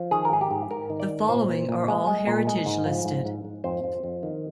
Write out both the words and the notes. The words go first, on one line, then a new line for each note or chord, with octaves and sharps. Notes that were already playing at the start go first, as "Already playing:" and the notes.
The following are all heritage-listed.
Already playing: F3
D#3 G#4
A#4
G#2 G#4
G4
G#2
G#2 A#4
D#3
D5
G#2
A#2 C5
A#2
A#2
G#3
G#3
A#2
G#3
G#2
F3
G#2
G#2
G#2
F2 C5
F2
F2
D#3